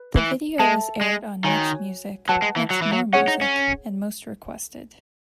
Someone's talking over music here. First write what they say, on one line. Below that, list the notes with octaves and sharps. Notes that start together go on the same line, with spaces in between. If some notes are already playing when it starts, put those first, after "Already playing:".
The video was aired on MuchMusic, MuchMoreMusic and Most Requested.
Already playing: B4
E3
G#3 A4 E5 A5
G#3
D#3 F#4 C#5 G#5 B5
F#3 B4 F#5 A5
G#3
E3
F#3
E3
F#3
C#4 G#4 C#5 F#5
D#4
C#4